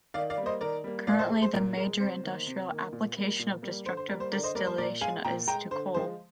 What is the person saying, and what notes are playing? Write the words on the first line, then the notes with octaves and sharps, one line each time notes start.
Currently the major industrial application of destructive distillation is to coal.
D#3 D5 F5
D5 F5
G3
A#3 C5 D#5
D#3 A#4 D5
G3 A#3
A#2 D5 F5
C5 D#5
G#3
C5
A#2 A#4
G#3 A#4
C3 C5
D#3 A#3
C3
D#3 A#3
A#2
G3 A#3
A#2
G3 A#3
D3 C5
C5
G3 A#3 A#4
C5
D3 A#4 D5
C5 D#5
G3 A#3 A#4 D5
C5
A#2 A#4 D5
G#3 F5 G#5
A#2 G5 A#5
G#3 G5 A#5
D3 C5
F3 G#3 C5